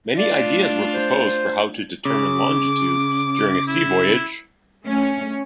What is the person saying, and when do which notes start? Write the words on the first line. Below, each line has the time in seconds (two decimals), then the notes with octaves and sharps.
Many ideas were proposed for how to determine longitude during a sea voyage.
0.18 A3 D4 F4 D5
0.94 C5
2.05 C#3 D6
3.68 E4
4.85 A3 C#4 C#5